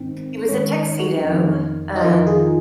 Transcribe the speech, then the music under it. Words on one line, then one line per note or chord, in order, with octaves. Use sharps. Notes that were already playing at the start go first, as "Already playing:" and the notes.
It was a tuxedo, um
Already playing: G#2 D#3 C4
G#2 D#3 C#4
D#4
F#4
F2 D#3
D#4
F2 D#3 F4
G#4